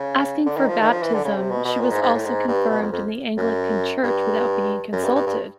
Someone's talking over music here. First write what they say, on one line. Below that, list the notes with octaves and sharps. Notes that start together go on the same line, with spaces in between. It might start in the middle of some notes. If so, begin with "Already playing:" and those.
Asking for baptism, she was also confirmed in the Anglican Church without being consulted!
Already playing: C#3
D3
D#3
F3
D#3
F3
E3
D3
C#3
C3
B2
B2
A#2
G#2
G#2
A2
G#2
G2
B2
F2
F2
F#2
G2
F#2
G2
G2
G2